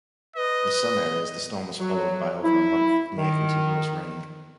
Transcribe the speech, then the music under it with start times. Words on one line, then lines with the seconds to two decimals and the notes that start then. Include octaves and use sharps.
In some areas the storm was followed by over a month of near-continuous rain.
0.36 B4 D#5
1.78 F#3
2.43 E4
3.17 D#3